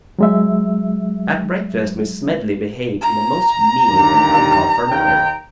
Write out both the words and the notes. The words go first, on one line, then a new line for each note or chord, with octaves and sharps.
At breakfast Miss Smedley behaved in a most mean and uncalled-for manner.
F#3 G#3 E5
A#5
D#2 D3 G3
D#2 G5